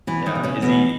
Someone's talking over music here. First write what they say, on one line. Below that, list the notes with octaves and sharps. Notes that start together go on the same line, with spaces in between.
Yeah. Is he
B2 E3 E4
D#3 D#4
B2
C#3 C#4
E2 B2 B3